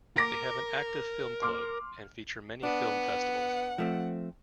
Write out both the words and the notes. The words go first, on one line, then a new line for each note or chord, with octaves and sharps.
They have an active film club and feature many film festivals.
A#4 D6 A#6 D7
C6 D6 F6
B3 D4 F#5
F3 A3 C4